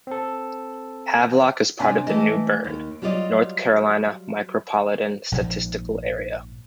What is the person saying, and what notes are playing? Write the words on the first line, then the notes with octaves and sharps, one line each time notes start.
Havelock is part of the New Bern, North Carolina Micropolitan Statistical Area.
C4 A4
C3 C4 D4 G#5
E3 A3 D#5
D#2
F#3 G3 F4 D5 D#5
A#1 G#2 F3